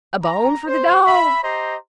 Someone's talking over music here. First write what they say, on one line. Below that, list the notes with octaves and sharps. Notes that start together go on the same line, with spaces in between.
A bone for the dog?
A#5
C5
E5 B5
G4 C5 D#5 A#5 C6